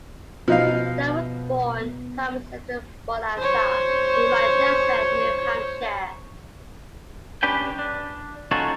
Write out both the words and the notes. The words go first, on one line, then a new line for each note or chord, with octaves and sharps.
Stone was born Thomas Edward Bourassa in Manchester, New Hampshire.
B2 F3 D#4 F5
C5 C#5
C#4 D4 G4 B4 G5
D4
C#4 D#4 F4 F#4 A4 C#5